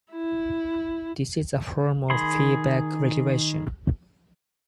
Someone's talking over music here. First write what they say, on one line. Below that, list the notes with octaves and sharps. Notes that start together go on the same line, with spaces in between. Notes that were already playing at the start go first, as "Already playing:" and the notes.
This is a form of feedback regulation.
E4
D#3 G#4 B5 C6